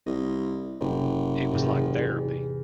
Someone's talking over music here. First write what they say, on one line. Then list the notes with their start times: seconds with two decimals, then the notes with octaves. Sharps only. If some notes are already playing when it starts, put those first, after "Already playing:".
It was like therapy.
0.06 C2 D#5
0.81 F#1 C3
1.52 E2 G#2 C3